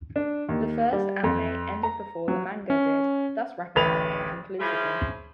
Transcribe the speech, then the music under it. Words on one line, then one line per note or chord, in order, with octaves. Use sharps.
The first anime ended before the manga did, thus wrapping up inconclusively.
D4
D#2
G3
F2
A#5
F#3
C#4
D1 A1 B4 F7
F3 E4 F4 G#4 C#5 B5